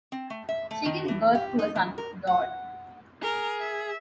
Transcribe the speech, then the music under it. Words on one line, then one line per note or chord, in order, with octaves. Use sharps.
She gives birth to a son, Dodd.
C4
A3
E5
A3
D#3
E3
G4
D#4
E3
A#4
F#5
G#4 A#4
E5